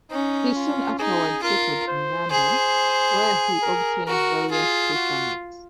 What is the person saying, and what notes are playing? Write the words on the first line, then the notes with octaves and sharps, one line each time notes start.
He soon afterward settled in London, where he obtained various preferments.
C#4 D#4
F4
D#4 G#4
F4 A#4
C5
G#4 C5
A#4
F#4 A#4
F4 G#4
F#4